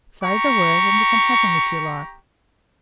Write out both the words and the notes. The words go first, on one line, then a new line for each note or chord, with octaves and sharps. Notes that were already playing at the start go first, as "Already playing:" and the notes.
"Say the word, and you can have them, if you like."
G4 A#5 C#6